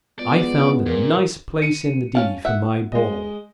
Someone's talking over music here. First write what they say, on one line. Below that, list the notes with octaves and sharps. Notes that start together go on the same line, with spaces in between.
I found a nice place in the "D" for my ball.
G#3 B3 F4 D5
A#2 A#4
C#7 D#7
C#4 F5 A5
E5 F#5
G#3 D#5